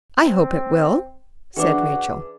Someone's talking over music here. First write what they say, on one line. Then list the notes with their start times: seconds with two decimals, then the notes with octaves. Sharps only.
"I hope it will," said Rachel.
0.20 C4
1.57 E3 C#4 D4 F#4 G#4 B4 D6